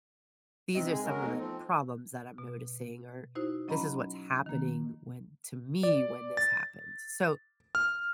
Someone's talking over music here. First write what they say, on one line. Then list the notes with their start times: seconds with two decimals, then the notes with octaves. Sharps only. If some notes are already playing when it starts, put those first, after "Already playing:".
These are some of the problems that I'm noticing, or this is what's happening when to me when this happens." So,
0.75 C3 C4 D#4 D#5
0.90 G#3 G#4
1.04 F#3 G#3 A#4
1.22 A3 B3 D#4
1.39 F3 C4
2.38 B2
3.35 D#4 E4 F#4 C5 D#6
3.68 F#3 C#4 D#5 A#5 B5
4.46 D#3 A#3
5.83 D5
6.37 A6
7.75 F6